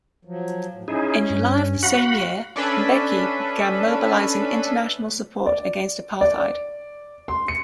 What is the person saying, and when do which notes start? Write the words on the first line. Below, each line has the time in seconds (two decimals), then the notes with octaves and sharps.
In July of the same year, Mbeki began mobilising international support against apartheid.
0.25 F3 F#3
0.74 A2
0.88 C#4 D#4 E4 G#4
1.30 G2
1.83 F#4 F5 F#5 B5
2.56 C#4 D4 A4 B4 E5 B5
5.46 D5
6.21 D5
7.28 C6
7.48 C#7